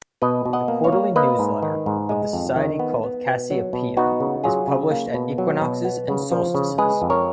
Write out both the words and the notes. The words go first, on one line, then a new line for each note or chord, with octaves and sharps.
The quarterly newsletter of the Society, called "Cassiopeia" is published at equinoxes and solstices.
B2 B4 D#5
B2
D#5 F#5
A#3
C#5 F5
A#3
A#3 B4 D#5
G#2
D#3
G#2
G#3
F2
D#3
B3
B3
B2
F#3
B2
B3 D#4 F#4
C#3
F#3 F4 G#4
C#3
A#3
B2
F#3
B2
B3
C#3
F3
C#3
G#3 G#4 B4
F2
A#4 C#5